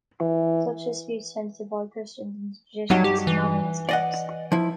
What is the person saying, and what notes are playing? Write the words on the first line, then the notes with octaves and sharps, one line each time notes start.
Such disputes tend to divide Christians into traditionalist and modernist camps.
E3
G2 F#3 D#4 F#4
G4
E3
D5 D#5 F#5
F3 E4